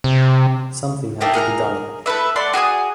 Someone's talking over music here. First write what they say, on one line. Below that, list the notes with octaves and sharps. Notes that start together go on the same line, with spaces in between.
Something had to be done.
C3
A3 A#3 G4 D#5
G#4 A#4 F#5 A#5
A3 E4 B4 E5
A3 D5 F#5 C6
F#4 G#4 G#5 D#6